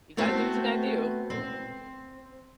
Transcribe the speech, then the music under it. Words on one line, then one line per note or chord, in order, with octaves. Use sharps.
You gotta do what you gotta do.
A3 B3 C4 F#4
C4